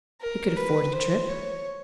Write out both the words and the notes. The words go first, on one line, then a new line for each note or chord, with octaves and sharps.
He could afford a trip.
A#4
B4
C5
C#5